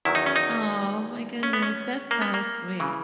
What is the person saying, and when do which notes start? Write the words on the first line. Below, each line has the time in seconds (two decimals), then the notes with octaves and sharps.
Oh my goodness, that's so sweet.
0.05 E2 D#3 F#3 E4
0.15 D#4
0.26 C#4
0.36 D#4
1.43 C#4
1.53 B3
1.62 C#4
2.11 A#3
2.22 B3
2.34 A#3
2.80 C#3 E3